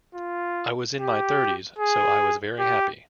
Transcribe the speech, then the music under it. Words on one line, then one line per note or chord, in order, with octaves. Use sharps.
I was in my thirties, so I was very happy.
F4
G4
G#4
G4